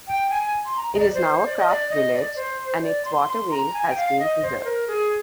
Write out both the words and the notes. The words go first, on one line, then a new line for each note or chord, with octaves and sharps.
It is now a craft village and its waterwheel has been preserved.
G5
G#5
C6
A#5
D#5
D5
C5
C5
D5
D#5
D5
D#5
D5
C5
D5
C6
C6
A#5
G#5
G5
F5
D#5
C5
A#4
G#4